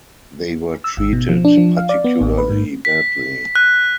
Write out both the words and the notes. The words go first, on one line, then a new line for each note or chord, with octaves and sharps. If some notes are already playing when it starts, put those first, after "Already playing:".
They were treated particularly badly.
E6
G#1
B2
F3
D4
F3
F5
D5
B3
A1
B4
G#2
B6
F#6